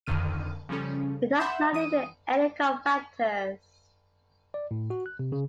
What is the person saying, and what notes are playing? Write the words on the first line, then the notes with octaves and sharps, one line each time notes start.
It does not need any cofactors.
F2 D3 D#3 F6 D#7
C#3 F3 G3 C#4 A4
E5 F#5 B5 C6 G6 E7
E3 D#6 D#7
D5
A2
F#4
F#6
C3
C#3